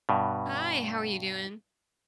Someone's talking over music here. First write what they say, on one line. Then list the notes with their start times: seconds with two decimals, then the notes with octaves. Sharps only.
Hi, how are you doing?
0.09 G2 B2